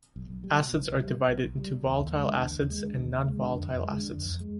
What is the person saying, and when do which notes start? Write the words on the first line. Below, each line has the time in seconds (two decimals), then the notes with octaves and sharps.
Acids are divided into "volatile acids" and "nonvolatile acids".
0.16 B1
0.30 B1
0.44 G3
0.59 B2
0.73 B1
0.87 B1
1.00 G3
1.14 B2
1.28 B1
1.43 B1
1.58 G3
1.72 B2
1.86 D#2
2.00 D#2
2.14 G#3
2.27 D3
2.42 D#2
2.56 D#2
2.70 G#3
2.84 D3
2.99 D#2
3.13 D#2
3.27 G#3
3.41 D3
3.55 F2
3.70 F2
3.84 G#3
3.98 D3
4.12 F2
4.25 F2
4.40 G#3